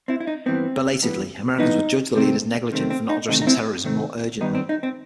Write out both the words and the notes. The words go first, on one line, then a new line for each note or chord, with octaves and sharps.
Belatedly, Americans would judge their leaders negligent for not addressing terrorism more urgently.
C4 E4
E4
D#4
G2 E3 B3 C4
G2 E3 B3
G2 E3 B3 D#4
C3 D#3 A3 C4
C3 D#3 A3 C4
C4
D#4
C3 D#3 A3 C4 D#4
D#4
C4 E4
C3 D#3 A3 C4
G2 D#3 G3 B3 D#4
C4
D#4
C4